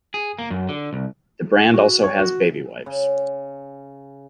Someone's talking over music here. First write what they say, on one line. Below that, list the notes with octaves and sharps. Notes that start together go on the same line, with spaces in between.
The brand also has baby wipes.
G#4
A#3
F#2
D3
C2
F#4
C#5
F#4
C#3